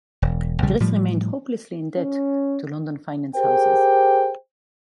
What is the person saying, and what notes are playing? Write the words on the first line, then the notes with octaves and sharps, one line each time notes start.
Greece remained hopelessly in debt to London finance houses.
E1
A#1 C#3 G3
A2 F3 G3
C#4
G4 G#4 A#4 C5 G5